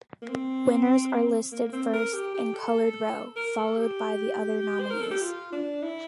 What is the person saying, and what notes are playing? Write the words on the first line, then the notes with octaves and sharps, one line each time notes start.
Winners are listed first in colored row, followed by the other nominees.
A#3
C4
A#3
C4
A#4
G4
G4
A4
A#4
A4
G4
C5
A#4
A4
G4
F4
D4
E4